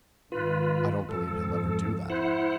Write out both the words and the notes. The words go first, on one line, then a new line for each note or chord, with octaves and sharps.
"I don't believe he'll ever do that."
G#2 D#3 F4 B4
F2 G#2 F3 A4
E4 C5 F#5